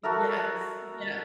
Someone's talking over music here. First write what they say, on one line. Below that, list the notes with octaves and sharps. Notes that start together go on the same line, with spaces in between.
Yes, yeah.
F#4 A4 A#4 E5